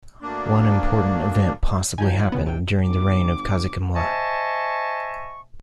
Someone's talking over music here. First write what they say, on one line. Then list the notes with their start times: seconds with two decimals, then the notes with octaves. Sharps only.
One important event possibly happened during the reign of Khasekhemwy.
0.22 D2 A#3 D4
1.98 D#3 F3 F#3 G#5 G6
2.19 F#5
2.32 F2 C#3 B3
2.46 A#1 C3 G5
2.88 G1 D6
3.96 C5 D#5 E5 G#5 A5 C#6